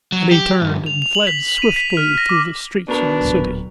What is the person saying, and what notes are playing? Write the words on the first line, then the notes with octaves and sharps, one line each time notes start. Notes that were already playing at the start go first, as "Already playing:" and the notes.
And he turned and fled swiftly through the streets of the city.
F#3
G4
G2 F3
F7
F7
F#7
B6
F#7
D#7
B6
F6
A#6
D6
B2 D4 A#4 B4
D1 A#2